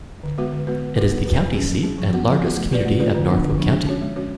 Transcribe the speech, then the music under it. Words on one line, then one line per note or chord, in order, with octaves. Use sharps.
It is the county seat and largest community of Norfolk County.
D3
G#3 B3 F#4 B4
D3
G#3 B3 F#4 B4
B3
F#4 B4
B3
F#4 B4
F#3
C#4 G#4
F#3
C#4 G#4
F3
B3 F#4
F3
B3 F#4
A3
F4 B4 D5
A3
F4 B4 D5
D3
F3 B3 D4
D3
F3 B3 D4
G#3
C#4 F#4 C#5
G#3
C#4 F#4 C#5